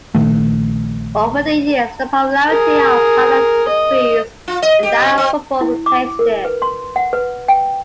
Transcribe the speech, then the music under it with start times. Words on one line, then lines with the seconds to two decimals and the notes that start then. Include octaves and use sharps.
Over the years the popularity of pallone decreased and that of football replaced it.
0.15 A#1 D#3 A3
2.48 G#4 A#4
3.68 D#5
4.48 F4
4.62 D#5
4.83 G4
5.00 B2
5.18 C4
5.61 E4
5.86 D6
6.19 A#4
6.45 B4
6.62 C6
6.96 F#5
7.13 B4
7.48 G5